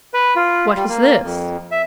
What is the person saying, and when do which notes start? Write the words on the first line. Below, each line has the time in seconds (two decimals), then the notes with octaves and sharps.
What is this?
0.14 B4
0.36 F4
0.75 G3
0.89 A#3
1.23 F2
1.71 E5